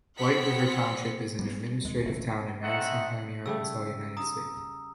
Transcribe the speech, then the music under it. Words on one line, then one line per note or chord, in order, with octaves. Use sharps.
White River Township is an administrative town in Madison County, Arkansas, United States.
B3 C4 F#5 B6 C#7
G3 B3
D#2 G#3
F#1 D2 E3 A3
A3 C4 D#4 D#5 E5 F#5
C#3 G3 A3 E6
A#5 D#6